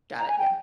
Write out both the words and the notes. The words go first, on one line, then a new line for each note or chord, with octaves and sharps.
Got it, yeah.
A#5
G#5
G5